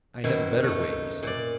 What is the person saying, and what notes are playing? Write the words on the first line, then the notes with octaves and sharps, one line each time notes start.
"I have a better way," he said.
F#2 B2 D#3 E4
A3 D#4
A#2 D5